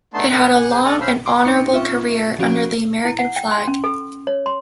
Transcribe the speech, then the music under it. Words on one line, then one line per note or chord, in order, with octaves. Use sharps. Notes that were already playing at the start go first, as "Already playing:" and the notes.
It had a long and honorable career under the American flag.
A3 B3 D4 D#4 A5 C6
A#4 B4 D#5
F#5 G#5 F#6
G#4 C5
A4 D#5 C#6 F6 F#6
C#4 C5 F5 B5 E6
C6 D6
C4 C#4 D#4 C#7
F4 E5 C#6
F3 C#4 F#4 D7
E4
F#5
G5
C6
C#4
A4
C#5
C6